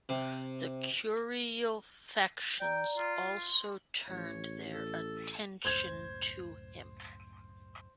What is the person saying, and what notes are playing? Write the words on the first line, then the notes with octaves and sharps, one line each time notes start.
The curial factions also turned their attention to him.
C3
D5 G5 A#5
F4
C6
A1 C#5
A4
C#2 F#2 A2 C5 G6 G#6